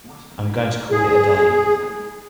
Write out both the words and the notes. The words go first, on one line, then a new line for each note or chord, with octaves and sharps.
I'm going to call it a day.
G#4